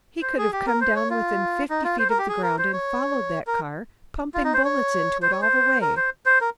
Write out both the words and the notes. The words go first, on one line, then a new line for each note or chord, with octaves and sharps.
He could have come down within fifty feet of the ground and followed that car, pumping bullets into it all the way.
C5
G#4
G4
A#4
C5
C#5
F4
D#4
F4
C5
A#4
G4
G#4
A#4
C5
C#5
A#4
F4
D#4
C5
C#5
C5
C#5
C5
A#4
C5
C5
A#4